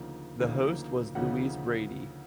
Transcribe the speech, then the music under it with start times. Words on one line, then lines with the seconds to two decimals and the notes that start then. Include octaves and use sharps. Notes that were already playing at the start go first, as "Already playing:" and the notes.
The host was Louise Brady.
Already playing: D2 C#3 F3 A#3 D#4
0.39 D2 C#3 F3 A#3 D#4
1.15 D2 C#3 F3 A#3 D#4 F#5